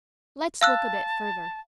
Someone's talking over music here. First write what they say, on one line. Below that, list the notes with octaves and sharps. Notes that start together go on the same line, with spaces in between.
"Let's look a bit further."
F5 A5 E6 F#6